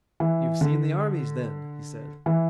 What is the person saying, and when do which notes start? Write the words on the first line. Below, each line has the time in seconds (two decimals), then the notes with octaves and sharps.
"You've seen the armies, then?" he said.
0.20 E3
0.61 D3
2.26 E3